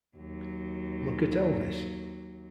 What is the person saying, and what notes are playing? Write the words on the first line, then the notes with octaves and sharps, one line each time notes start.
Look at Elvis.
D#2 F#3